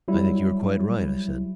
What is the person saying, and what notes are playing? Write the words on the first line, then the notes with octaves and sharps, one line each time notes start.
"I think you are quite right," I said.
F#3 G3 E4